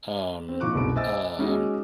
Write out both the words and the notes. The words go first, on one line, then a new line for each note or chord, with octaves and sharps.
Um, um,
C4
A#2 F3 D#4 C#6 D6 F#6
F#1 C2 B2 D7
C5 D#5 E5 G#5 E6 A6
G#3 C#4 D#4 F#4 G#4